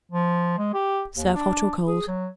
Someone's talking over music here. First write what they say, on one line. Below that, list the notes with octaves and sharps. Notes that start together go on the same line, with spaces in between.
Serve hot or cold.
F3
G#3
G4
D#2
D4
G#4
F#3